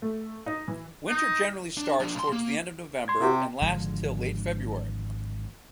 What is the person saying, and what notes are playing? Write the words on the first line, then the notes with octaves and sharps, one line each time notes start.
Winter generally starts towards the end of November and lasts till late February.
A3
D#4
E3
D#4
D4
F3 D4
B1 C6
A#3
C6 G#6
C3 E4 F#4 G4
G5
G#1 D3 F3 G#3